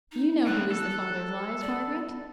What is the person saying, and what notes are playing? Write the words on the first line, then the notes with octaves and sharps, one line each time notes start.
You know who is the father of lies, Margaret?
D#4
A2 E3 F#6
A4
D5